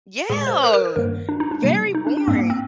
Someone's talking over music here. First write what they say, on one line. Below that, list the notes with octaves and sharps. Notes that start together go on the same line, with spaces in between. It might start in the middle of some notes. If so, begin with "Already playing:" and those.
Yeah! Very boring.
A#2 G#3 G#4
C5
A#4
A#4
C5
G2 D#3 G3 A#3 A#4
D4
D#4
D4
C3 G3 A#3
D#4
D4
D4
G#2 G3 A#3 C4
A#3
C4